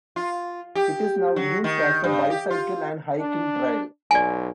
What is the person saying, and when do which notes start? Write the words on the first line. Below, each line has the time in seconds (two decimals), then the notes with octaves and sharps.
It is now used as a bicycle and hiking trail.
0.16 F4
0.75 G4
1.36 F#3
1.64 D#3
2.04 G2
2.30 G4
2.50 F4
3.19 D4
4.11 B1 D5 G#5